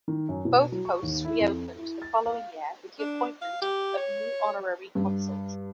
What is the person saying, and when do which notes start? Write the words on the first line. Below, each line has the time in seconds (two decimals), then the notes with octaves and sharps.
Both posts reopened the following year with the appointment of new honorary consuls.
0.08 D#3
0.29 F#2
0.45 B2
0.72 F#3
0.85 C#6
1.02 D#2
1.25 E4
1.40 F2
1.76 E4
2.02 A6
2.25 F5
2.99 D4
3.42 F5
3.62 G4
3.97 C#5
4.95 G2